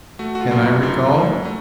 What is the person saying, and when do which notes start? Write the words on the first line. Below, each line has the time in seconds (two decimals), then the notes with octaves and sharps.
Can I recall it?
0.19 A3 F#4
0.35 F#4
0.41 F4
0.51 F#2
0.62 E4
0.82 F#2 D#4
1.14 F#2
1.45 A3